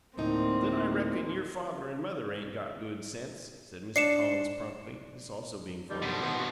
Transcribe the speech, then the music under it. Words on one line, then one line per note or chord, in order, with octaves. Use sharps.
"Then I reckon your father and mother ain't got good sense," said Mr. Collins promptly, this also being formula.
D2 A2 A#3 C4 D#4
D4 C7 C#7 E7
D3 D#3 G3
B2 F3
B3
C4 D4 F#4